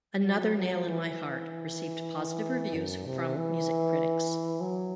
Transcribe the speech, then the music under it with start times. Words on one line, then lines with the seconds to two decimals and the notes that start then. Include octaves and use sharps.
"Another Nail in My Heart" received positive reviews from music critics.
0.24 F#3
0.55 F#3
0.87 E3
2.74 F#2
3.06 C3
3.37 E3
4.61 F#3